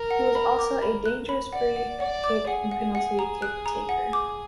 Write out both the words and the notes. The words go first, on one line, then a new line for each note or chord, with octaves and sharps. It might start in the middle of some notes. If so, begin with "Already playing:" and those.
He was also a dangerous free kick and penalty kick taker.
Already playing: A#4
F#5
B5
D6
B5
F#6
B5
D5 F#5
F#5
D5 F#5
D6
G#4 F#5
F#5
F#5
A#5
F#6
A#5
F#5
D6